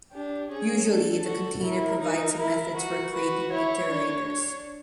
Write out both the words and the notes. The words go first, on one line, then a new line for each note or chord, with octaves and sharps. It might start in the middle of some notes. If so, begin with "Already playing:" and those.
Usually, the container provides the methods for creating iterators.
D4 G4
C#4 G#4
D4 A4
F#4
E4 A#4
D#4
E4
F#4
F#4 B4
E4 C#5
D4
D4